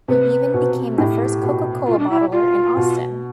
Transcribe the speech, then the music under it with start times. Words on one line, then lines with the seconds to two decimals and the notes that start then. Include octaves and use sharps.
He even became the first Coca-Cola bottler in Austin.
0.08 C3 B4
0.54 B2
0.97 A2 G4
1.43 B2
1.87 F4
1.99 D4
2.10 E4
2.32 F4
2.77 B2